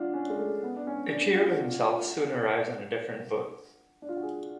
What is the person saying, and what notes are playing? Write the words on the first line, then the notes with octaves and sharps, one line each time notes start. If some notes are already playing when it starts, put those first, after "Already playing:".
Ichiro himself soon arrives on a different boat.
Already playing: D4 F4 F#4
C#4
G#3
A3
B3
D4
C#4
D4
F4
F#4
F4
F#4
F4
F#4
D4
F4
F#4
G#4